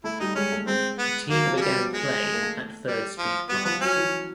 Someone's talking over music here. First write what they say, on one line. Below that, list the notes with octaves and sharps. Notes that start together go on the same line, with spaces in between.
The team began play at Third Street Park.
A3 E4
G3 D#4
G#3 C#4
A3
G#3 C4
B3
F#3 A#3
F3
G#3
F#3 G3
B3
G#3
A3
A#3
A3
G3
F3
G3 B3
F3 B3
F#3 C#4
E3